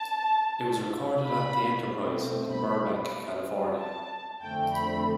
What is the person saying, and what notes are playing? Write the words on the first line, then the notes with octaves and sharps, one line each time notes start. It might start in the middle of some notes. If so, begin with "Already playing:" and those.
It was recorded at "The Enterprise" in Burbank, California.
Already playing: A5
B5
B2 A3 C4
B5
A5
F2 D3 A3 C4 G5
B5